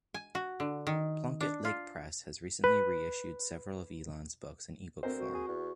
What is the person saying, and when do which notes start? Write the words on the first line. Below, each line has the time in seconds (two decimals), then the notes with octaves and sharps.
Plunkett Lake Press has recently reissued several of Elon's books in eBook form.
0.14 G#5
0.35 F#4
0.60 D3
0.87 D#3
1.41 D4
1.65 F4
2.64 B4
5.03 D2 C4 A#4 C5
5.19 F#4
5.34 G#4
5.48 E2